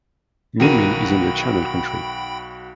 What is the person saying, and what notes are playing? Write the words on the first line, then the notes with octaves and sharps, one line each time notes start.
Min Min is in the Channel Country.
B1 D#3 F#4 A#4 G5 B5 D#7